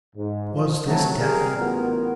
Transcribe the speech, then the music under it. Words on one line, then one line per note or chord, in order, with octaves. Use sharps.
Was this death?
G#2
F3
C3 F#3 A3
C3 G3 C4 G4 G#4 A#4
A1 B3 F4 F#4 A#4